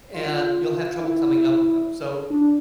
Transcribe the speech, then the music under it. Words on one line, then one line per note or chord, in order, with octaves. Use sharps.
And you'll have trouble coming up with 'em, so
F4
F4
E4
D4